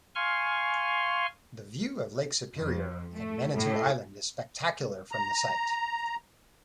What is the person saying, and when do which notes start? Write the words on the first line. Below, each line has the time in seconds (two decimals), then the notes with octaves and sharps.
The view of Lake Superior and Manitou Island is spectacular from the site.
0.15 F5 G#5 C6 C#6 F6
2.56 F2
3.13 A3
3.53 A2
5.12 A#5